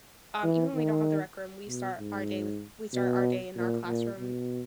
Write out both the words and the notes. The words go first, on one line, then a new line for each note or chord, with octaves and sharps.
Um, even when we don't have the rec room, we start our day with we start our day in our classroom
E3
D#3
B2
G#2
B2
A#2
A#2
B2